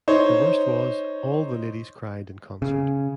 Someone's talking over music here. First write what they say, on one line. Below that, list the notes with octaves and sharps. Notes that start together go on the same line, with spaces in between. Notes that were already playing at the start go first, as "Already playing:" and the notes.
The worst was, all the ladies cried in concert.
D#4 C5 C#5
C#3